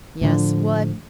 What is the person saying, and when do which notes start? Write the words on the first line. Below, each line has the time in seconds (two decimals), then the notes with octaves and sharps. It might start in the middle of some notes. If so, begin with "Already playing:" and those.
"Yes, what?"
0.21 A2 D3 F3